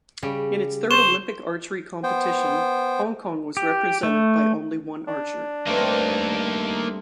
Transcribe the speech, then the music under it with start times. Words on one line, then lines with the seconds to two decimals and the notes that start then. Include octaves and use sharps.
In its third Olympic archery competition, Hong Kong was represented by only one archer.
0.23 C#3 G3
0.91 C5 C#6 E7 G7
2.04 B3 C5 G5
3.57 G4
4.03 A3
5.07 D4
5.67 G2 A3 A#3 C4 D#4